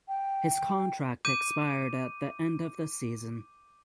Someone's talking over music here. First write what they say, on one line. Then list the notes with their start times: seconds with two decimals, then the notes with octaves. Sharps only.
His contract expired at the end of the season.
0.08 G5
1.25 D6 G6 D#7